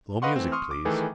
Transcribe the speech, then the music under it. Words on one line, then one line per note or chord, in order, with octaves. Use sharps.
Slow music, please.
B4 D#5 F5 F#5 C6 C#6
E3 A3 C4
C6 C#6 D#6 F6
D6
D#3 E3 A3 G#4 A4 B4